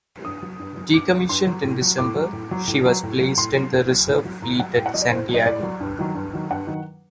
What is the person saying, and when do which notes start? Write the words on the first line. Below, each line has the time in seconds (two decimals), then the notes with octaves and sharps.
Decommissioned in December, she was placed in the Reserve Fleet at San Diego.
0.25 G2 D#6
0.42 F#3
0.59 G2
0.77 F#3
0.94 G2 D6
1.12 F#3
1.29 G2 C6
1.47 F#3
1.64 A2
1.81 F#3
1.98 A2 D6
2.16 F#3
2.33 A2
2.51 F#3
2.67 A2
2.86 F#3
3.03 A2
3.21 F#3
3.37 A2 C6
3.55 F#3
3.72 A2
3.90 F#3
4.07 A2
4.25 F#3
4.42 A2 A#5
4.58 F#3 F#5
4.77 A2 G5
4.86 F#5
4.94 F#3 D#5
5.02 D5
5.11 A2 C5
5.29 F#3
5.34 D#5
5.46 A2 D5
5.63 F#3
5.80 G2
5.99 D#3 F#3
6.15 G2
6.33 D#3 F#3
6.50 G2 F#5
6.67 D#3 F#3